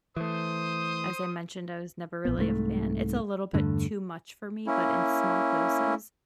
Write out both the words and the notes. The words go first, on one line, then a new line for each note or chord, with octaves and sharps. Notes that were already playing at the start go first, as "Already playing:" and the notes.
as I mentioned, I was never really a fan. It's a little bit too much for me, but in small doses,
E3 A3 C5 D#6
A#1 B3
C2 G#2 A3
E2 G2 D3 A3
A#3 C#4 E4